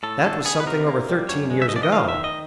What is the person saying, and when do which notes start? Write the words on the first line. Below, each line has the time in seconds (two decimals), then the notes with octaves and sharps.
That was something over thirteen years ago.
0.03 A2 A4
0.24 D4 A4
0.45 B3 G#4
0.60 B4
0.66 C3 A#4
0.87 A#3
1.09 G3
1.29 F#2 C#5
1.50 G#3
1.62 E5
1.69 D#5
1.72 F3 D5
1.83 D#5
1.92 D#3 F5
2.09 E5
2.14 D#3
2.24 D#5